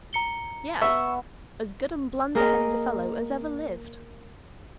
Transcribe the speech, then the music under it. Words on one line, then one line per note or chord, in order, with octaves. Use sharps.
"Yes; as good and blunder-headed a fellow as ever lived."
A#5 C#7 G7
B3 E5 C#6 E6
A#3 G#4 A#4 D#5